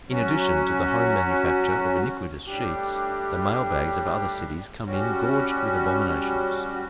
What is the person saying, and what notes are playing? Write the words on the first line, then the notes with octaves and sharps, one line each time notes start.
In addition to the home manufacture of iniquitous sheets, the mail-bags of other cities come in gorged with abominations.
F#3 C#4 F#4
A2 G3 D4 G4
G3 C#4 F#4